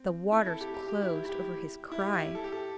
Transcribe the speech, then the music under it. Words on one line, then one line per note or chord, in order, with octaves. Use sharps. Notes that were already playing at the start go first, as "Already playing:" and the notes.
The waters closed over his cry.
Already playing: C4
E4
A4
G4
G4
G4
E4
G4
E4
G4
E4
G4
E4
A4
G4
A4